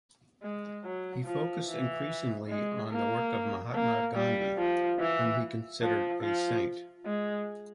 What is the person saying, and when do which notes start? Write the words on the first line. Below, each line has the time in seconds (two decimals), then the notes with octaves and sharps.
He focused increasingly on the work of Mahatma Gandhi, whom he considered a saint.
0.43 G#3
0.84 F#3
1.25 F3
1.66 E3
2.49 G#3
2.91 A#3
3.74 A#3
4.15 G3
4.57 F3
4.99 E3
5.82 F3
6.22 F3
7.06 G#3